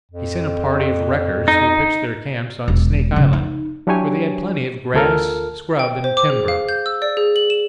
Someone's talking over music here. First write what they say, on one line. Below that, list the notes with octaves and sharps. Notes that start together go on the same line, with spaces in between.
He sent a party of wreckers who pitched their camps on Snake Island, where they had plenty of grass, scrub, and timber.
F2
D#4
E1
C#3
D#4
F#3 D4 E4 G4 C#5 G#5
D2 F4 A4 A#4 F6
G5
C5
D6
G#4
F5
G6
E6
D5
G#4
F#7
E7